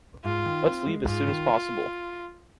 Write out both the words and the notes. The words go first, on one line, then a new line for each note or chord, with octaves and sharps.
Let’s leave as soon as possible!
G#2 F4
D#3
C4
G#3
G#2 F4
D#3